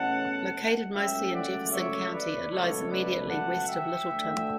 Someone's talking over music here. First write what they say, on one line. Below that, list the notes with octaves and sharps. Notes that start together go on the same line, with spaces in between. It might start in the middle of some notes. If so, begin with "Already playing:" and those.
Located mostly in Jefferson County, it lies immediately west of Littleton.
Already playing: E2 B2 A3 C#4 F#5 A5
C#2 C#3 F#3 A3 E5 G5
D5 F#5
C#5 E5
B4 D5
C#2 B2 F#3 A3 A4 C#5
B4 D5
F#5 A5
E5 G5
D2 D3 A3